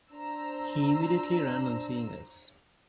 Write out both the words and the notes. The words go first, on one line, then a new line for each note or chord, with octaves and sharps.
He immediately ran on seeing us.
D4 C5 A#5 E6